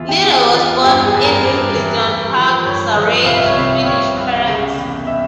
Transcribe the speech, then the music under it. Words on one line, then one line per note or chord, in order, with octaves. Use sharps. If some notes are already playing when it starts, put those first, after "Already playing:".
Lidell was born in Wimbledon Park, Surrey, to Swedish parents.
Already playing: E2 E3 E4 F4
G4
E3 G#4
E2 F4
G2 G4
G#4
G2
A#4
G2
E3
G2
F3
G2 C#5
F3
C2 F5
E5
C#5
C3 E5
C2 C#5
C2
C#3
E2
E5